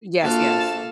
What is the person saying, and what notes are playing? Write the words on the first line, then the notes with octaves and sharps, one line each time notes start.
Yes, yes.
A#1 A#3 F4 F#4 A4 C5 F5 A5